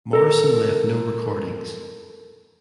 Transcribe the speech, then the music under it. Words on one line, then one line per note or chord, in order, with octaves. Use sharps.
Morrison left no recordings.
A4 A#4